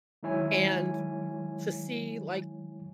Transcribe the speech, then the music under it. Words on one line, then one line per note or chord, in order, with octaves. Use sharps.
and you to see, like,
D#3 F#3 G#3 E4 C#5 G#5